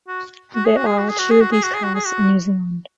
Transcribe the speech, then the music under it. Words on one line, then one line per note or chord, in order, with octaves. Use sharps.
There are two of these cars in New Zealand.
F#4
F#4
G#4
F#4
G#4
F#4
G#4
F#4
G#4
F#4
G#4
F#4
G#4
F#4
G#4
F#4